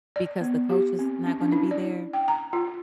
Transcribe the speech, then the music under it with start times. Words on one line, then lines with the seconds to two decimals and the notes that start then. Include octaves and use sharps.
Because the coach is not gonna be there?
0.16 D5
0.41 B3
0.69 G4
0.99 C4
1.26 C#4
1.40 D4
1.52 E4
1.71 D5
2.13 G5
2.28 A#5
2.53 F4